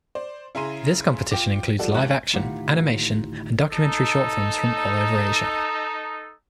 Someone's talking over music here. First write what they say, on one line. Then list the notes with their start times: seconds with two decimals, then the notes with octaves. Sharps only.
This competition includes live action, animation and documentary short films from all over Asia.
0.15 C5 D5
0.55 C#3 E4 G#4 A#5 C6 D#7
1.31 F4 G5 D6
1.79 F3 G3 F#4 A4 D5
1.94 D#2 G#2 G4 F#6
2.33 D2 A2 D#3 F4 G4 F#5
3.72 D#4 A4